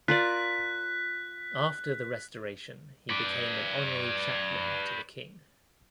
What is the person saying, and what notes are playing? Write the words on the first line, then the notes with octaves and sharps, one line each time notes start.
After The Restoration he became an Honorary Chaplain to the King.
F4 A#4 D5 F#6 B6
B4 D5